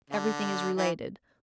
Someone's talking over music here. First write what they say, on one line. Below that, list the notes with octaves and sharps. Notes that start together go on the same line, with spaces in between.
Everything is related.
D3
E3